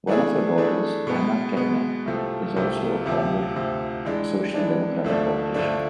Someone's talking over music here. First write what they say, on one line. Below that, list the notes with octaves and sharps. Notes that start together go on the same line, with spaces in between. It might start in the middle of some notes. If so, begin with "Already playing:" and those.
One of her daughters, Anna Kettner, is also a former Social Democratic politician.
E3 A3 D4 G#4
E3 A3 D4 G#4
B2 G#3 B3
B2 G#3 B3
C2 C3 F3 A3
C2 C3 F3 A3
D2 C3 F3
D2 C3 F3
E3 G#3 D4
E3 G#3 D4
D2 D3 F3 A3 D4
D2 D3 F3 A3 D4